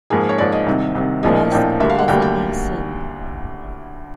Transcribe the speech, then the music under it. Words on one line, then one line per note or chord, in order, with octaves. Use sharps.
Rusk was a Mason.
G#2 F3 A#3 G#4
C#5
G#2 F3 A#3 D5
D#5
C2 C3 D#3
C2 C3 D#3
A#1 A2 F3 A#3 D4 D#5
A#1 A2 F3 A#3 D4 G5
D2 D3 G3 A#3 E5
F5
F#5
D2 D3 G3 A#3 G5
G5